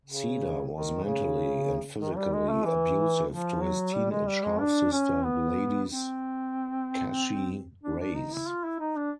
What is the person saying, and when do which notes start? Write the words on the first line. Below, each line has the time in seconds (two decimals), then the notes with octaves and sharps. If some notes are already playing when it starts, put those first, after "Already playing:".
Seda was mentally and physically abusive to his teenage half-sister, Gladys "Chachi" Reyes.
0.06 C#3
0.71 D#3
1.04 C#3
2.00 D#3
2.17 G3
2.33 G#3
2.49 A3
2.65 E3
3.30 F3
3.62 F#3
3.94 G3
4.11 G#3
4.27 G3
4.43 G#3
4.60 D4
4.92 C#4
5.25 B3
5.89 C4
7.84 D4
8.00 D4
8.16 D#4
8.32 E4
8.49 F4
8.64 E4
8.80 D#4
8.97 D4